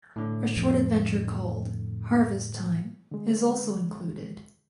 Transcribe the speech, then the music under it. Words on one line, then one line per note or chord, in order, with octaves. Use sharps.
A short adventure called "Harvest Time" is also included.
A2 D3
F2
D3 G#3